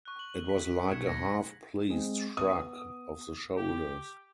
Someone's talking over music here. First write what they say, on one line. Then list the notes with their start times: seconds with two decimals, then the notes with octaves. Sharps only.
It was like a half-pleased shrug of the shoulders.
0.05 C#6 F#6
0.19 F#7
0.49 B6
0.91 B1 G#6 C#7 E7
1.07 A#6
1.90 G#3 C4 G#4
2.37 B3 D#6
3.57 G4